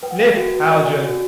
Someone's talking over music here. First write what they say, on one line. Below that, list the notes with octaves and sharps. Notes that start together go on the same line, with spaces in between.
"Lift, Haljan!"
B4 G5
F#5
F5 G5
F#4
D5 F#5 G#5
F#4